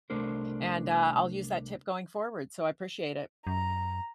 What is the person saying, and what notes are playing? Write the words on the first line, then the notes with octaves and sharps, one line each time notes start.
and, uh, I'll use that tip going forward, so I appreciate it.
C2 A3 D4 A#4 C5
F#2 A#5